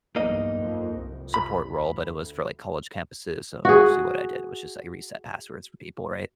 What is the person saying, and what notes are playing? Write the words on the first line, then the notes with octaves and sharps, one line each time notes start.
support role, but it was for, like, college campuses, so mostly what I did was just, like, reset passwords for people, right?
B1 E2 G2 A#3 D#4 D#5
F2
F1 C2
B5
D2
F#4 G#4